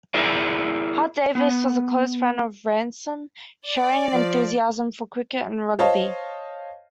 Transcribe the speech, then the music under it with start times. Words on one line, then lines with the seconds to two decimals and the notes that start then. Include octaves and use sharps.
Hart-Davis was a close friend of Ransome, sharing an enthusiasm for cricket and rugby.
0.14 E4 G#4 A#4 D5 E5
1.35 B3
3.67 D5
4.14 F3
5.79 C5 C#5 D#5 F5 A5